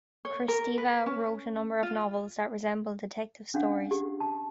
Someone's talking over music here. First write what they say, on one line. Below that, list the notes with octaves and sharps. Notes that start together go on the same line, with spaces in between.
Kristeva wrote a number of novels that resemble detective stories.
C#5
A#4
B4
C#4
F4
C#4 D4 F5 F#5
G4
A5